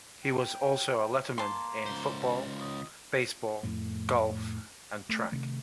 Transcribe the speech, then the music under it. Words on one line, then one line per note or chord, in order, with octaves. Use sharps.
He was also a letterman in football, baseball, golf and track.
G5
A#3 A5 C6
C#2 C5
D#5
F2 A2 A3
A3
C3 D#3 A3